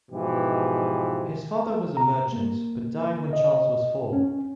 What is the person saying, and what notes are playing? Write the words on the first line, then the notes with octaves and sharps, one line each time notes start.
His father was a merchant but died when Charles was four.
G#2 B2 E3 F3 G4
A#5
A#3
D#5
C#4